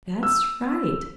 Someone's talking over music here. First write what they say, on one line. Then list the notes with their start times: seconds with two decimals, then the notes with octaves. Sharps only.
"That's right!"
0.23 E6